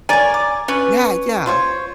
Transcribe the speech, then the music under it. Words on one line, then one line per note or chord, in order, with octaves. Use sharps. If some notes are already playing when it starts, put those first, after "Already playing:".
Yeah, yeah.
A#4 C#5 D5 G#5
D6
C#4 B4
F4 C5 C#5